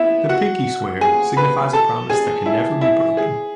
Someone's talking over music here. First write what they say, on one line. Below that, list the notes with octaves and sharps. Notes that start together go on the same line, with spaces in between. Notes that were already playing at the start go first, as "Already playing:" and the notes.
The pinky swear signifies a promise that can never be broken.
Already playing: B3 E4 E5
F#4 F#5
G#4 G#5
B4 B5
A4 A5
G#4 G#5
E4 E5
E4 E5
G#4